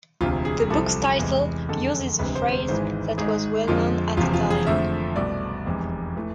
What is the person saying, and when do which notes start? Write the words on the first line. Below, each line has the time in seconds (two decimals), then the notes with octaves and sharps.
The book's title uses a phrase that was well-known at the time.
0.21 E1 D2 C3 F4
0.45 G#4
0.70 C2 C3 F3 A4
1.19 E2 C3 G#3
1.69 F2 D3 G#3 A4
2.19 E1 D2 C3 G#3 B4
2.36 C5
2.52 C5
2.69 G#1 G#2 E3 G#3 C5
3.18 G#1 G#2 G#3 G#4
3.67 F2 D3 F3 G#3 F4
4.17 E1 E2 C3 F3 F4
4.34 F4
4.50 G#4
4.67 F2 D3 F3 A3 E5
5.16 C2 B2 A3 D5
5.66 F1 E2 C3 G#3
6.16 E3 A3